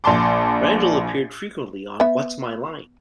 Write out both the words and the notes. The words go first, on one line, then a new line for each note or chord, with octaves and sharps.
Randall appeared frequently on What's My Line?
A#1 A5 C6 D6
B3 E5